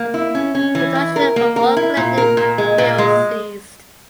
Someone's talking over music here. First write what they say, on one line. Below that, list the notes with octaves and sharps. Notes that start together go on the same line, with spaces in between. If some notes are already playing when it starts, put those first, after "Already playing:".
Production from all connected fields ceased.
Already playing: A#3
E4
C#4
C#4
E3
E4
A#4
A#3
A#4
E4
A#2
A#4
A#2
G#3
A#2
G#3